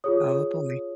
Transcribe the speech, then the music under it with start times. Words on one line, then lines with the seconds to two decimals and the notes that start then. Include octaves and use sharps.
Oh boy.
0.04 F4 G#4 C#5 D#6